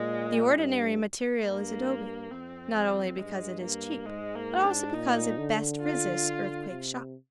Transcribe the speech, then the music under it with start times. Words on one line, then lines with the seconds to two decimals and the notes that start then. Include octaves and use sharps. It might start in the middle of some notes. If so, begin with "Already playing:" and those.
The ordinary material is adobe, not only because it is cheap, but also because it best resists earthquake shocks.
Already playing: A#2 G#3
0.56 G2
1.43 G2 A#3
2.31 F2 C4
3.18 G2 G#3
3.62 A#3
4.06 G#2 G#3
4.36 A#3
4.65 D4
4.94 A#2 D#4
5.38 D3
5.81 F4
6.70 C3